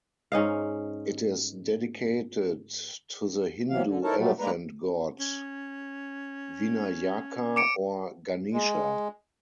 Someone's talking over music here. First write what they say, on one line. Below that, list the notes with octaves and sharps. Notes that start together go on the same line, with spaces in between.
It is dedicated to the Hindu elephant god Vinayaka or Ganesha.
G#2 C#4 D#4 F5
C3 E3 F#3 F5
D3
D#4 E4 A4 A#4 C#5 A5
B2 F#3 G3 A3
G#3 A#3 D4 B4 A#5
C#4
D6 C#7 D7
G#3